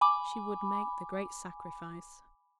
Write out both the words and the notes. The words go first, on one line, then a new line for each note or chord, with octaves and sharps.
She would make the great sacrifice.
G#5 B5 D6